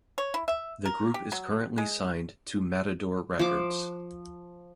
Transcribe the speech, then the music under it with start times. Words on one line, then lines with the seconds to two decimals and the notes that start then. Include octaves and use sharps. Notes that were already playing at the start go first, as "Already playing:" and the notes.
The group is currently signed to Matador Records.
0.18 C#5
0.34 E4
0.48 E5
0.85 A#4
1.14 G4
1.32 F#3
1.78 G#3
3.39 F3 D6